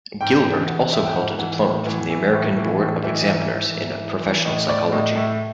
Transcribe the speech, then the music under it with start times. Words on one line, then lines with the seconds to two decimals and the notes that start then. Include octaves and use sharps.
Gilbert also held a diploma from the American Board of Examiners in Professional Psychology.
0.21 G#2 G5
0.44 E3 G5
0.68 E3 F#5
0.92 G#2 E5
1.04 G5
1.15 G#2 F#5
1.38 E3 F#5
1.63 A2
1.87 E3
2.10 E3
2.33 A2
2.57 E3
2.80 A2
3.03 E3 E5
3.13 D#5
3.22 E5
3.28 G#2
3.52 E3
3.74 G#2
3.98 E3
4.21 E3
4.45 A2 D#5
4.69 A2 D5
4.92 A2 D#5
5.16 A2 E5